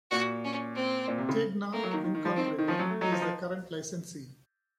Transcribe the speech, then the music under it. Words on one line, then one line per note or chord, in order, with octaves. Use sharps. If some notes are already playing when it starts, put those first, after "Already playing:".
Tegna, Incorporated is the current licensee.
A#2 F#4
C#4
C4
A#2
C3
C#3
A3 A#3
F#3
D#3
D#3
D#3
F3
D#3 C4
D#3
F3 C#4
F#3
A3
F#3 D#4
F3
F3